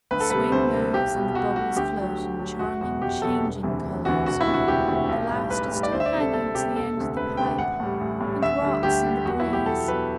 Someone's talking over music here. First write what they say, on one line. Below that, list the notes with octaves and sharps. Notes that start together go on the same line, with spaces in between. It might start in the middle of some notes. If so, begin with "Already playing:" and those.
The swing moves, and the bubbles float in charming changing colors: the last is still hanging to the end of the pipe, and rocks in the breeze.
D2 B4
A4
C3 G3 B4
D2 C5
C3 G3
B1 G4
B2 G3
B1 F#4
B2 G3 F#4
D2 G4
D3 F#3
D2
D3 F#3
F#1 F#4
E2 B2 F#3 F#4
F#1 G4
E2 B2 F#3 A4
E1
D2 C3 E3
E1
D2 C3 E3 F#4
E1 F#4
E4
D2 C3
F#4
E1 G4
D2 C3
B1
A2 G3
B1 B4
A2 G3
D5
D2 C5
E5
D5
C3 G3
A4
D2 A4
C3 G3 G4
E1 A4
D2 C3
E1 B4
D2 C3 G5
A1 F#5
A2 G3
A1
A2 G3
D2 E5
D3 G3
D2 G4
D3 G3
E2 F#4
E4
B2 F#3
G4
E2 A4
B2 F#3 B4